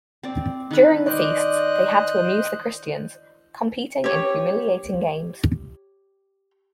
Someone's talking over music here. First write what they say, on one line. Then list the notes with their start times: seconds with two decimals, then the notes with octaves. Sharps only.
During the feasts they had to amuse the Christians, competing in humiliating games.
0.23 C4 D5
0.71 D#3 B4
1.06 C5 D5 D#5 F#6
4.04 G4 C#5